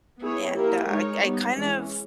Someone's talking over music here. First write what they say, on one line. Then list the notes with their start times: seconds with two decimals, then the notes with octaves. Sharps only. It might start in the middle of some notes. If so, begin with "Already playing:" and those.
and I I kind of
0.21 B3 E4 G#4 C#5
0.54 A#3 E4 G4 A#4
0.88 G#3 D#4 A#4 C#5
1.21 G3 B3 D#4
1.55 E3 G#3 C#4